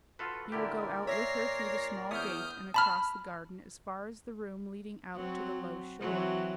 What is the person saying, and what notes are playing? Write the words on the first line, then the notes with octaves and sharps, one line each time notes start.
You will go out with her through the small gate and across the garden as far as the room leading out to the low shore.
F4 F#4 A4 B4
A#2 D3 E4 G4 A#4 D5
C#5 E5 A#6 C7
E2 C#5 E5 D#6 F6 G6
A5 B5 F6
F#3 C4
E3 F#3 C4